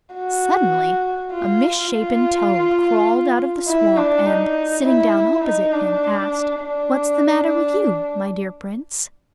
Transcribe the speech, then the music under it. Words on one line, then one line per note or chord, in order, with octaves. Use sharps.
Suddenly a misshapen toad crawled out of the swamp, and, sitting down opposite him, asked: 'What's the matter with you, my dear Prince?'
F#4
F4
F4
E4
D4
D#4
E4
D#4
D4
D4